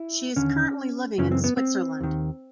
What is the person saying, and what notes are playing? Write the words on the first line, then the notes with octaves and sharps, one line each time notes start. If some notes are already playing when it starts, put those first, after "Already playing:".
She is currently living in Switzerland.
Already playing: E4
D#2 D3 C#4
F#2 C#3 E3 C#4
C4
B3
C4
D#2 D#3